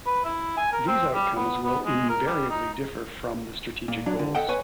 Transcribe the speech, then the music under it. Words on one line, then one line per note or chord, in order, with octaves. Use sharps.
These outcomes will invariably differ from the strategic goals.
B4
E4
G#5
A#4
C4
G3
B3
B3
G#3
A#4
G3
D#4
A#2
F#3 D4
D3
A4 D#5 F#5 G5
B4 C#5 G#5